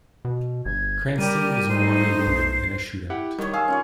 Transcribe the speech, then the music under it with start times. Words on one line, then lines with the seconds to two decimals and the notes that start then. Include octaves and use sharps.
Cranston is mortally wounded in a shootout.
0.25 B2
0.66 G1 G#6
1.19 G3 G4 A#4 D5 D#7
1.68 A3 D#4 C5
2.27 B1 C7
3.10 E4 G4 F#5
3.38 D#3 G3 C#5
3.53 G#4 F5 E6
3.68 C#4 F4 C#5